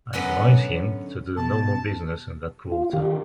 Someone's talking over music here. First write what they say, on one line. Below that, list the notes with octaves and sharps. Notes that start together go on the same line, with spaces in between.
I advise him to do no more business in that quarter.
F#2 D3 B3 C#4 D#5 F#5
B2 A5
F4
D#3 D4 G4